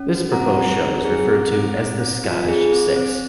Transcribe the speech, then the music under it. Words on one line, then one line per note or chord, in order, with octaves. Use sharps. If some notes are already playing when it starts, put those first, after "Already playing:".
This proposed show is referred to as the Scottish Six.
Already playing: C#4
F#4
C4 F#5 A#5
C4
D#4
G#4
C4
C4
C4
C4
F4
G#4
C4
C4